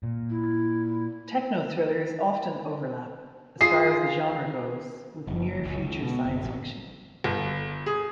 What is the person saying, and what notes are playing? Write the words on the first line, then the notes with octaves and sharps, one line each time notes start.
Techno-thrillers often overlap, as far as the genre goes, with near-future science fiction.
A#2
E4
F4 G#4 C7
F#1
C#2
C#2
B2
F#1
A1
G1
G#4